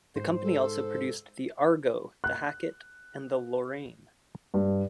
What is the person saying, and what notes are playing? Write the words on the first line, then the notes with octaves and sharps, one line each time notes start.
The company also produced the Argo, the Hackett, and the Lorraine.
G#2 C5
A4
F#6
G2